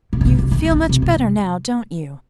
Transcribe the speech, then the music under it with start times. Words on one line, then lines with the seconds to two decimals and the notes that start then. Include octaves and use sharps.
'You feel much better now, don't you?'
0.13 A#2
0.21 D3
0.25 C3
0.39 D3
0.51 D#3
0.65 D#3
0.71 D3
0.89 C3
1.02 C3